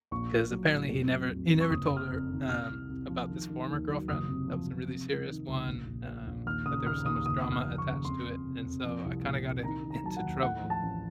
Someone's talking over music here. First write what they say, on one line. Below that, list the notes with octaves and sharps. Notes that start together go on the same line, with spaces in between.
'Cause apparently, he never he never told her, um, about this former girlfriend, that was a really serious one, um, that there was so much drama attached to it, and so, I kinda got him into trouble,
A#1 C#6
A#1
F#3
A2
F2
F#3
F2
F2
C#6
F#1 D#6
F#1
F6
F2
D#3
C3 F6
C2
C2
F3
D#3
D#3
D#2
F#3
F#1 D#6
C3
F3
F3
C3
C3
D#3
C#2
A#1
A#1
A#2
A#1
D#2 F6
C#3 D#6
D#2 F6
D#2 D#6
F#1 D#6
F#1
F6
F3
C#6
C#3
F2 C6
F2
C3
F2
F3
C2
A#2
C2
D#3 A#5
D#3
A#5
F#3 A5
F#5
D#2
A2 F#5
F3
A5
A1